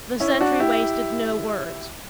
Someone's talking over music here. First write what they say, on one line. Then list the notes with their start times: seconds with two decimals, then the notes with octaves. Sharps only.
The sentry wasted no words.
0.20 C#4 E4
0.41 D4 F#4
0.60 E4 G4